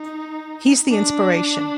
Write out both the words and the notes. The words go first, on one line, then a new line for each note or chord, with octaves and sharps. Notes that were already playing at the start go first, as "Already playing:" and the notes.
He's the inspiration.
Already playing: D#4
D4